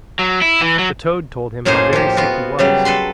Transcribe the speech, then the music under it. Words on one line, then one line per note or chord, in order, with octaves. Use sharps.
The toad told him how very sick he was.
F#3
E4
E3
F#3
F#2 A2 A#3 D#4 G#4 C5
F3 G4
B3 F4 F#4
C#3 F#3 G3
A4 B4 B5 C6